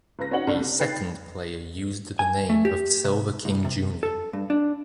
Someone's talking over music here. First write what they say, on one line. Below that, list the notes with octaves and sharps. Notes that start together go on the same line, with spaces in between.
A second player used the name of Silver King Jr.
C#2 B4 A#6
C#4 D#4 F#4 C#5 F#5 F#7
C2 C#3 D4 A4 D5
C3
D#4 B4 G5 A6 C7
G#5
A3
G4
C3
C2
C3
A4
G2
D4